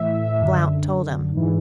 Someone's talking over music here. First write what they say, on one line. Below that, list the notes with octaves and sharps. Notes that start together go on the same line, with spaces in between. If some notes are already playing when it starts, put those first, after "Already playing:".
Blount told him.
Already playing: A2 E3 E5
F#2 D3
G#2 E3